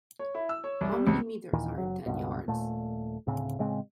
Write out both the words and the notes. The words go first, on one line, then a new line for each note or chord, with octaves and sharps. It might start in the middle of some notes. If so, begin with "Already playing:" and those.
How many meters are in ten yards?
C#5
E4
E6
C#5
C2
G3
C#2
D#2 A#2 D#3 E3
F#1 C2 F#3
C#2 G2 B2
D#1 A#2 A3
D2 A2 C#3 C4
A2 C#3 G#3 C4